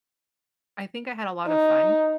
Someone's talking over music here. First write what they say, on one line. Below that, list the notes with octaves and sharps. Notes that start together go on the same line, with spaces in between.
I think I had a lot of fun
D#4